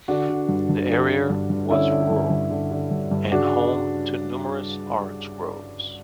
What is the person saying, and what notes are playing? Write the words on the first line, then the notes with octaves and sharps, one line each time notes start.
The area was rural and home to numerous orange groves.
D3 D4 F#4
D3
G2
G2
D3
D3
G2
G2
D3 C#4 E4
D3
G2
G2
D3
D3
G2
G2
C#3 D4 F#4